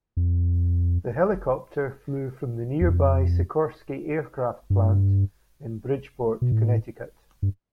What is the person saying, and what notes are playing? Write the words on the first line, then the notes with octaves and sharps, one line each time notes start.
The helicopter flew from the nearby Sikorsky Aircraft plant in Bridgeport, Connecticut.
F2
E2
F2
G2
B2
A2
G2